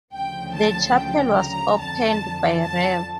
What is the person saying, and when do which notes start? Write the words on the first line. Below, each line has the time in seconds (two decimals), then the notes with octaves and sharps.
The chapel was opened by Rev.
0.13 D2 C#3 F3 G5
0.54 A5
0.96 G5
1.38 A#5
1.79 F2 D3 F3 A5
2.63 A5